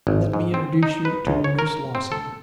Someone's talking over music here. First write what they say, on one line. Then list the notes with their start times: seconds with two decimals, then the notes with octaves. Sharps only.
'Let me introduce you to Miss Lawson.
0.07 G#1
0.33 G#2
0.54 C4
0.83 D#4
1.05 B4
1.27 C#2
1.44 C#5
1.59 A#4
1.95 C4
2.12 A4